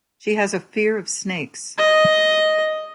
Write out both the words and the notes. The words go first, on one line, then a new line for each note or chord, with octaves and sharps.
She has a fear of snakes.
D#5